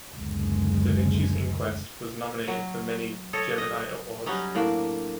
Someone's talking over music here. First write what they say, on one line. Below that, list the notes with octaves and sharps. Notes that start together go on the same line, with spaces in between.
"Da Vinci's Inquest" was nominated for many Gemini Awards.
F#1 D2 B2 G#3
F#3
A4 C#5 D#5
D#5
F#3 G3 C#4 D#4
A2 A#3 D4